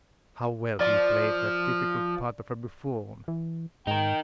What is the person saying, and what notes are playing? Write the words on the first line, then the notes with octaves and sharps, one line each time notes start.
How well he played that difficult part of buffoon!
F3 D5
E3
G#2 D#4 A#4 G5